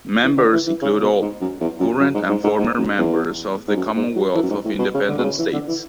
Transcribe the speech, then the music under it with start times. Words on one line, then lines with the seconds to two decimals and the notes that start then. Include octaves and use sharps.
Members include all current and former members of the Commonwealth of Independent States.
0.23 E3
0.37 D3
0.53 E3
0.67 E3
0.82 C#3
1.02 B2
1.21 G#2
1.41 F#2
1.61 E2
1.80 F#2
2.00 F#2
2.14 G#2
2.29 G#2
2.44 G#2
2.59 G#2
2.78 F#2
2.98 E2
3.68 G#2
3.76 F#2
3.96 G#2
4.16 F#3
4.35 E3
4.43 F#2
4.50 G#2
4.65 A2
4.79 B2
4.94 C#3
5.09 D3
5.18 B2
5.23 C#3
5.39 E3
5.53 D3
5.68 E3